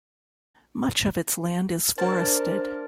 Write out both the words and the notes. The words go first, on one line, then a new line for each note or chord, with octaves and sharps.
Much of its land is forested.
A#3 D4 A#4 C5 A5